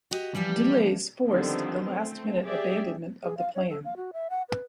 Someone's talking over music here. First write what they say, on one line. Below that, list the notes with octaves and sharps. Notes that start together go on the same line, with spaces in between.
Delays forced the last-minute abandonment of the plan.
F#4 G4 D#5
E3 F3 G3 G4
D3 D#3 F3 G3 B3 C4
A3 C4
G4 G#4 D5 E5
G#4
F5
C#5
A4
F5
F#4
E5
F#5
B4